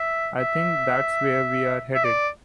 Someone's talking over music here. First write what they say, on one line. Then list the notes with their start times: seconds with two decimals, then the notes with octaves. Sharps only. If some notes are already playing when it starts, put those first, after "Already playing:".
I think that's where we're headed.
Already playing: E5
0.39 E5
1.95 E5
2.05 D5